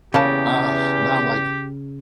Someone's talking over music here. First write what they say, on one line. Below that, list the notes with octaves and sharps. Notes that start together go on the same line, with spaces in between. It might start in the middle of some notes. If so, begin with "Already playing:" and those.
Ugh, now I'm like
E2 C#3 A#3 G4 F5 A5